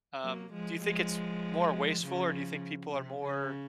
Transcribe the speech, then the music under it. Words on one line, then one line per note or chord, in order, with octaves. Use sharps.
um, do you think it's more wasteful or do you think people are more
F#3 A#3
F3 G#3
F3 G#3
C#3 F3
C3
C#3